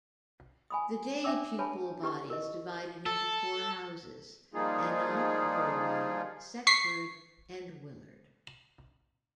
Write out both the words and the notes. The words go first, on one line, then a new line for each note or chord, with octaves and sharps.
The day pupil body is divided into four houses, Annott, Burwell, Seckford and Willard.
G#5 B5 D#6
C#4 D4 E5 G5 D6 E6
B4 C#5 G#5 A5 B5
E4 G4 B4 C#6
A#4 D#5
A4
F3 G3 A#3 D#4 F4 G#4
C#6 B6 C7